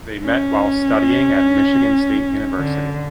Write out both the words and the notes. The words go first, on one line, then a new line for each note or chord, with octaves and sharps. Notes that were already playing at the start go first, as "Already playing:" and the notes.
They met while studying at Michigan State University.
C#4
D3